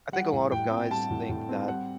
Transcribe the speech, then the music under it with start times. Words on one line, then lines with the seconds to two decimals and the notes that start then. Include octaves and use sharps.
I think a lot of guys think that-
0.12 G3 F#5
0.33 A2
0.52 A2 G5
0.71 C4
0.90 G3 A5
1.11 A2
1.29 A2
1.49 C4
1.68 G3 F#5